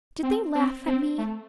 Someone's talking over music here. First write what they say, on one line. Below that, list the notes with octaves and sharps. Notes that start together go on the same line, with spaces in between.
"Did they laugh at me?"
C4
C4
C4
A3